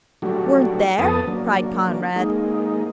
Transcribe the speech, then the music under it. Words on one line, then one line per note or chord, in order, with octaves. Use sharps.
"Weren't there?" cried Conrad.
F#3 G3 A3 D4 F#4
F2 B3 A4 B4 A5 D#6
F#3 A#3 D4
G#3 A#3 D#4